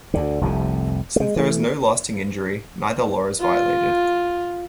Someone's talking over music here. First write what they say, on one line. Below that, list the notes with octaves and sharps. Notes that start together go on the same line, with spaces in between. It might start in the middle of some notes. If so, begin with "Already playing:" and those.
Since there is no lasting injury, neither law is violated.
D2 D3
F1 C2 F2 C3
G#3 A3
E3 A3
F4